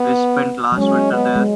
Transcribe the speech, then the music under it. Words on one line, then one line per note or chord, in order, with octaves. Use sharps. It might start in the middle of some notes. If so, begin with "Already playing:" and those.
We spent last winter there.
Already playing: B3
F#3
G#3 C#4
B3
G#3